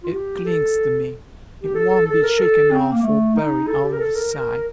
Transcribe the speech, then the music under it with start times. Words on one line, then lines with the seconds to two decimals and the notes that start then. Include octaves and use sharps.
It clings to me; it won't be shaken off or buried out of sight.
0.03 F4
0.13 G4
0.45 A4
1.63 G4
1.74 A4
1.90 A4
2.06 A4
2.23 A#4
2.38 A4
2.71 C4
2.91 A#3
3.02 A3
3.35 D#4
3.68 A4
3.84 G4
3.92 A#4
4.00 A4
4.15 A#4
4.32 A#4